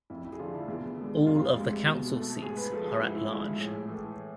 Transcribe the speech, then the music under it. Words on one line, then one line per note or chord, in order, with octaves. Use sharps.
All of the council seats are at-large.
F2 E4
E4
G#4
D3 F3 A3 F4
E4
E2
D3 G#3
F2 F4
C3 G#3
B2
A3
G#2 G#4
B4
F3 A3 A4
G#4
G#2 E4
E4
F3 G#3 E4
E4
A2 G#4
E3 A3